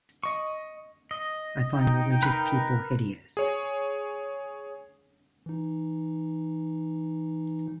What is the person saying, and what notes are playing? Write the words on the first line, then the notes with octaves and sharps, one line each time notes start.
I find religious people hideous.
D#5 C#6
D#5
D#4 G5
A#4 B4
G#4 C#5
E3 D#4